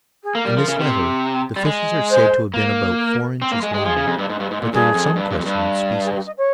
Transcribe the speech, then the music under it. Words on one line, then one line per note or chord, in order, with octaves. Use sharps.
In this letter the fishes are said to have been about four inches long, but there is some question of species.
G#4
A#3 A#4
G3
F3
C#3
C3
G3
G#3
C5
A#3
A#4
C4
A#3
G#3
G#3 G4
F3 G#4
C#3
F2
G2
G#2
G2
G#2
A#2
G2 G#4
F2
G2
G2
F2
G2
G#4
G4
D#5
C#5